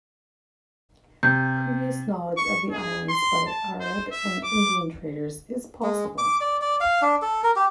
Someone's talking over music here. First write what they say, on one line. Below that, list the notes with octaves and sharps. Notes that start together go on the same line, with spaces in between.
Previous knowledge of the islands by Arab and Indian traders is possible.
C3 G6
C#6
G#4
C6
A5
C5
E5
D6
G#3
D6
D5
D5
F5
D4
A4
A#4
G4